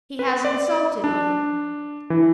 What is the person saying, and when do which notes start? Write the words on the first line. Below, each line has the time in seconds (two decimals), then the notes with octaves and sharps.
He has insulted me.
0.19 B4
0.45 D5
1.04 D4
2.10 E3